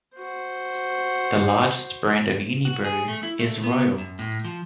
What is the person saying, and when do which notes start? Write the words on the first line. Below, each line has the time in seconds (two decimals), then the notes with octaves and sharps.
The largest brand of Unibrew is Royal.
0.16 F#4 C5
2.65 F#4
2.85 G#4
3.08 A3
3.23 E4
3.39 A3
3.64 B3
3.98 F#2
4.19 A2
4.45 F3